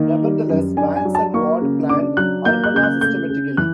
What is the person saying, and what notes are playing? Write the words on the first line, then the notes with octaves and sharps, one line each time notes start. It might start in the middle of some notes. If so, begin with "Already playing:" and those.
Nevertheless, Vance and Ward planned Urbana systematically.
Already playing: D#3 A#3
G3
F#2
D4 G#5
G#5
F#3
A5
A#3 C#6
C#3
D4 D6
F#3 F#6
A#3 G6
F#6
C#3 G6
F#6
A3 G6
C#3
E3 F#6